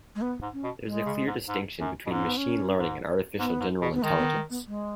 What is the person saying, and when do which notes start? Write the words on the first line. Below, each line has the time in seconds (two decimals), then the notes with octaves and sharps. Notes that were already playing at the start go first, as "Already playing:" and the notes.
There is a clear distinction between machine learning and artificial general intelligence.
0.15 G#3
0.22 B3
0.42 G#2
0.53 C#4
0.64 B2
0.85 G#3
1.06 C#3
1.27 G#2
1.48 G#2
1.80 F#2
2.07 B2
2.12 G#2 C#4
2.24 B3
2.37 C#4
2.76 G#2
3.39 G#2 B3
3.60 G#2
3.81 B2
3.93 B3
4.03 D#3 G#3
4.18 B3
4.35 G#3
4.50 B3
4.67 G#3